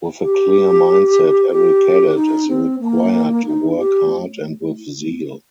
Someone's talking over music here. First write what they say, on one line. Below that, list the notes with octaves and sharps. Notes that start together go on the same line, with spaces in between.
With a clear mindset every cadet is required to work hard and with zeal.
G4
G4
D#4
C4
A#3
D#4
G4